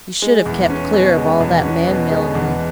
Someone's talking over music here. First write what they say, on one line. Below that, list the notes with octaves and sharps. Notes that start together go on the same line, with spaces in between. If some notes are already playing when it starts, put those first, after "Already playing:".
You should have kept clear of all that man-millinery.
G#3
E2
C#4
B2
G#3
E2
C#4
B2
G#3
E2